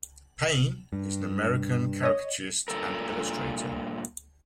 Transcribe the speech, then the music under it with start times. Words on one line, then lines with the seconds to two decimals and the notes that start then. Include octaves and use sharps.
Payne, is an American caricaturist and illustrator.
0.93 G2
2.03 C#5 D#5
2.68 G2 A#2 E3 A4 A#4